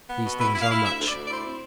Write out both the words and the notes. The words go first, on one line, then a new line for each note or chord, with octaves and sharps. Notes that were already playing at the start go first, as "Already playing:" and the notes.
These things are much.
B3
B2
E4 B4
E4
F5
E4
D2 E5
D2
D5
D2
D5
E4 C5
C4